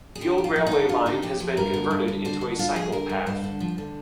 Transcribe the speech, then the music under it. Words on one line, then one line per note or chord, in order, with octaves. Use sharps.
The old railway line has been converted into a cycle path.
G#4
D3 G4
F3
F4
F3
D#4
D3
D3 F4
D3 D#4
F3 G4
F3 G#4
G2 A#4
D3
G2
D3
D3 C5
D3
G2 F4
F3 G#4
D3 A#4
G2
G2 C5
D3
F3
D3